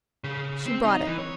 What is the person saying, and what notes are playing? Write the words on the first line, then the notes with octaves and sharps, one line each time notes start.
She brought it.
C#3
C4
D#4
E3
C#5